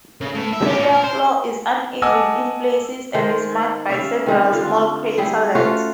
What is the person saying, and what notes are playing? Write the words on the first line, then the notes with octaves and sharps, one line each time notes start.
The interior floor is uneven in places and is marked by several small craterlets.
C#3
A2
E5
G4
A#2
A#4
C5
D#5 F#5 G#5 A5 D6 E6
D#3 G#3 C5
C#4 E5 F5
D#3 G3 C4
D3 F4
G3 E4 G#4
A3 C#4 F4 F#4